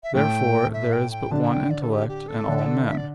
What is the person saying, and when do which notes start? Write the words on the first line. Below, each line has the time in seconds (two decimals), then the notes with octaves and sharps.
Therefore there is but one intellect in all men.
0.03 E5
0.15 A2 A3 G5
0.73 E5
0.93 G5
1.11 G5
1.31 D3 D4 A5
1.50 G5
1.70 D5
1.82 A4
1.90 G4
2.09 G4
2.28 A4
2.48 D3 D4
2.88 E5
2.97 D5